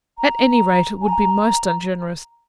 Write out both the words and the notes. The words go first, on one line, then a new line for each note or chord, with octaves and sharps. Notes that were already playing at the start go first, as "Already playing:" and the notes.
At any rate it would be most ungenerous.
A#5
G#5
A#5